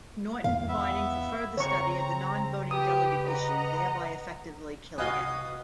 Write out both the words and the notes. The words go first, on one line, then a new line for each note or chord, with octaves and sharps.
Norton providing for further study of the non-voting delegate issue, thereby effectively killing it.
E2 F5
B3 E5
C#3 C4 C#5 A#5 C#6
G4 B4 D#6
D#5 F#5 A#5
C2 F#4 B4 D#5 F5 G#5 D#6